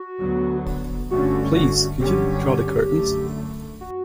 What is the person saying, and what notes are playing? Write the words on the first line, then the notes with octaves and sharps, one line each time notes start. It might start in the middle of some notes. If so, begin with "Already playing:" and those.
Please could you draw the curtains?
Already playing: F#4
D2 D3 F#3 B3
G2 D3 A3 C#4 F#4
F#4
G2 D3 F#3 C#4 G4
F#2 D3 A3
F#4